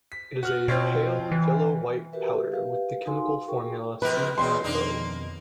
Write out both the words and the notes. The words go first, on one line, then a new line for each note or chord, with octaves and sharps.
It is a pale yellow-white powder with the chemical formula CeO.
B6
F#4 F6 F#7
B2 C4 F4 C#5
E3
F#4 G4 A#4 B4 E5
G4 B4 F5
D#4 F#4 F5 G#5 C6
F#4 G#4 A#4 G5 C#6
B2 F3 A#4 B4
E2 C#3 C4 F#4 D#5 G5 C6
F2 B2 D#3 A#3 D4 D#4